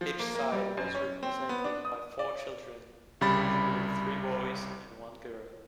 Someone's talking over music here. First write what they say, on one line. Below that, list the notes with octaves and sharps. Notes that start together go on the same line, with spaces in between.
Each side was represented by four children, usually three boys and one girl.
F3
A#3
A#3
G3
F#2
C#4
C4
B3
D4
D#6
D5
C2 C#3 G3 B5 A6